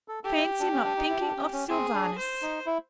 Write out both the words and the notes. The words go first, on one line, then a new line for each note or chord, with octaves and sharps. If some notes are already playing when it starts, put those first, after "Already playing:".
"Fancy not thinking of Sylvanus!"
A4
G4 A4
E4
D4
C#4
D4
D#4
E4
D4
C#4
C#4
C4 G#4
D4
C5
D#4
E4